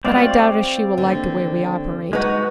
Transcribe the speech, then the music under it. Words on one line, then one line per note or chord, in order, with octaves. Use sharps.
But I doubt if she will like the way we operate.
G#3 C4 D5 F5
F#4
D#2 D3
G#3 D#4 F#4 B4 F#5